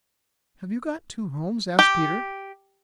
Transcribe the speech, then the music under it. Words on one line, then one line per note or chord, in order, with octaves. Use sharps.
"Have you got two homes?" asked Peter.
G4